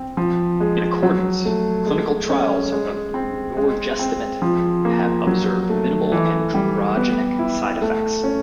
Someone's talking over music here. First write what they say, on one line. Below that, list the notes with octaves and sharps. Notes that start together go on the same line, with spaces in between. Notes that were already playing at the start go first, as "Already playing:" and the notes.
In accordance, clinical trials of norgestimate have observed minimal androgenic side effects.
Already playing: C4
F3
G#3
F#3
A3
G#3
C#4
G#3
C4
G#3
C4
F3
A#3
F#3
A3
E3
G3
B3
E4
A3
C#4